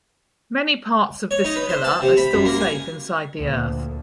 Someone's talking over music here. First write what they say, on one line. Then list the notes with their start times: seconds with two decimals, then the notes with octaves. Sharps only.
Many parts of this pillar are still safe inside the earth.
1.31 C#5
1.45 D#4
1.56 B4
1.69 C5
1.84 A5
2.02 C3
2.17 B5
2.33 F#2
2.45 A#3
2.60 G#5
3.37 D2 A#2